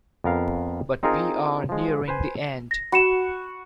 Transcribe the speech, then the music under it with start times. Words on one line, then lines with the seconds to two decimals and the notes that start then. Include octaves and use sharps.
But we are nearing the end.
0.24 F2 B3 A#4 F5
1.03 C4 D#4 F4 G#4 A#4
1.69 F3 G#3
2.08 B4 C5 G#5
2.71 A#6
2.92 F#4 B5 C#7 E7